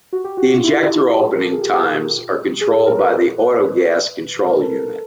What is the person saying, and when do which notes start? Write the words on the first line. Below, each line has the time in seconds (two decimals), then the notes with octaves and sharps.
The injector opening times are controlled by the autogas control unit.
0.13 F#4
0.24 G4
0.37 F#4
0.49 F#4
0.57 F4
0.64 E4
0.71 F4
1.35 A#4
1.44 A4
1.52 G#4
1.61 G4
2.61 G#4
2.73 A4
2.86 A#4
2.98 B4
3.60 B4
4.49 A#4
4.60 A4